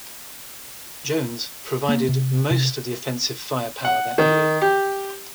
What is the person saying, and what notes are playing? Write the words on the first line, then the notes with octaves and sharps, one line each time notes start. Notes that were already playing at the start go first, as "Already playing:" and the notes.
Jones provided most of the offensive firepower that year.
A#3
C3
C3
F#5
D#3
G4